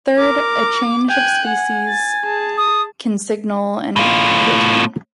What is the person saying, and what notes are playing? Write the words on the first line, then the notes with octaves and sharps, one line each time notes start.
Third, a change of species can signal an ecotone.
A#4 D6
G5 G#5 F#6
F#5 G#5
A6
G#4 A5
D#6
A2 F4